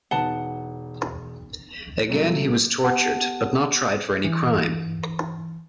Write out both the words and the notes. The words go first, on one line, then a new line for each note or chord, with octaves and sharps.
Again he was tortured but not tried for any crime.
E1 B3 D#4 B4 F#5 A5 G7
B2 F#3 G3 A3 F#4
B3 G4 F#5 A5
E3